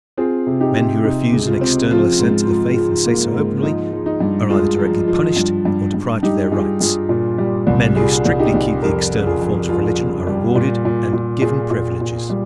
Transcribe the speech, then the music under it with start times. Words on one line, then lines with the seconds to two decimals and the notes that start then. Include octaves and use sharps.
Men who refuse an external assent to the faith, and say so openly, are either directly punished or deprived of their rights; men who strictly keep the external forms of religion are rewarded and given privileges.
0.17 C4 F4 G#4
0.46 C3
0.61 D#4 G4
0.75 C3
1.04 C3 D#4
1.32 C#2
1.47 F4
1.61 C4
1.91 F3 F4
2.19 G#2
2.47 F3
2.76 F3
3.06 A#3
3.34 G#2
3.63 F3 D#4
3.92 F3
4.06 D#4
4.20 G2
4.50 G#3 F4
4.79 F3
5.08 F3
5.36 G2
5.65 G2
5.94 G2
6.23 G2 D#4 G4
6.52 G2 F4 G#4
6.81 G2 F4 G#4
7.09 A#2
7.38 G3
7.67 C2
7.96 G3 F4 G#4
8.25 C2
8.39 D#4 G4
8.54 C2
8.82 F2 G4 A#4
9.11 C#3
9.25 F4 G#4
9.41 F2
9.69 F2 F4 G#4
9.98 C#3
10.27 G3
10.55 A#2
10.85 A#2
11.13 A#2
11.42 A#2 F4 G#4
11.71 A#2
12.01 A#2
12.30 G3